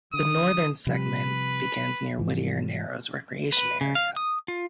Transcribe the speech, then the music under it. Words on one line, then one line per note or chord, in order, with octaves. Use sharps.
The northern segment begins near Whittier Narrows Recreation Area.
D3 D#6
C3 F3 G3 B4
G#2 E3 F3
B4
C#3
F5
D#6
F4